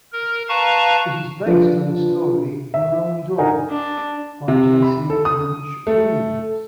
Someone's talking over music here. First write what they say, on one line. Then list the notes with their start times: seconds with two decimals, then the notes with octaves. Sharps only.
It is based on an story "The Wrong Door" by Jesse Lynch Williams.
0.13 A#4
0.49 B4 F5 A5 A#5 C#6
1.45 F3 D4 F4 G4 B4 D5
2.74 E5
3.38 D4 D#4 A#4 F#5 G#5 A#5
3.70 D4
4.48 C3
4.82 B5
5.10 A4
5.25 D#6
5.87 A3